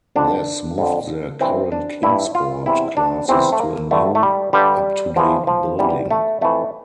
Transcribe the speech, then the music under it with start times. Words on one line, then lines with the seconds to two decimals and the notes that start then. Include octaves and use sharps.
This moved their current Kingsport classes to a new up to date building.
0.16 F2 D3 D4
0.78 F2 D3
1.41 G2 E3 C4
1.72 D4
2.03 G2 E3 E4
2.35 F4
2.66 E2 C3 E3 E4
2.97 D4
3.28 E2 C3 E3 C4
3.52 A3
3.60 A#3
3.91 G2 D3 A3
4.15 A3
4.23 G3
4.53 G2 D3 G3
5.16 E2 E3 F3
5.47 F3
5.79 E2 E3 G3
6.11 A3
6.41 F2 E3 A3